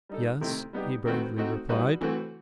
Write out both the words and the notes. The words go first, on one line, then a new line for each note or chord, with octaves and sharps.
"Yes," he bravely replied.
G3 D#4 A4
C3 D#3 A3 C4 E4
G3 B3 D#4 G4
D#3 A3 C4 F#4 B4
A3 C4 D#4 F#4
B2 G3 D#4 F#4 B4
E3 A3 C4 F#4 B4